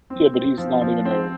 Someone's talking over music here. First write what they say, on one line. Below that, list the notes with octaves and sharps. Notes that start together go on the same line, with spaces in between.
Yeah, but he's not even a
C4
C4
F3
F3
C4